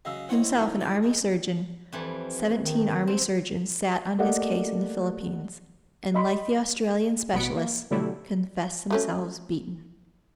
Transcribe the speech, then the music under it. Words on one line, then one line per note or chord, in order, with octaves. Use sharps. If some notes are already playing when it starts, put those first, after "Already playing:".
Himself an Army surgeon, seventeen Army surgeons sat on his case in the Philippines, and, like the Australian specialists, confessed themselves beaten.
C#3 F#3 D#5 F5 E6
C4 E4 F4 C#5 D#5 F#5
D#3 F#3 D#4
D5
G#3
F2 E3 G3
D#3
C4
A3 A#3 G4 D5 D#5 F#5
D#5 B5 C6
A1 B2 B3 B5 C#7 D7
A#3
B2 D3 F#3 G3 A3 E4
F#3 A3 C#4